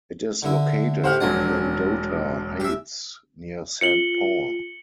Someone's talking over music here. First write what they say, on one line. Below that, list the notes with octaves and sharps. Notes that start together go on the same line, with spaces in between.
It is located in Mendota Heights near Saint Paul.
D3 E4
A2 G4 C5 F#5 F6
E1 F#3 D4 F#5 G#5
G4 E5
F4 C#7 F#7 G7